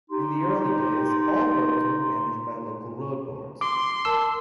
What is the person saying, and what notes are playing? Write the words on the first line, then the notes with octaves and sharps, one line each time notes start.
In the early days all roads were managed by local road boards.
D#4 G4 C6
C6 D6
A#4 A5 E6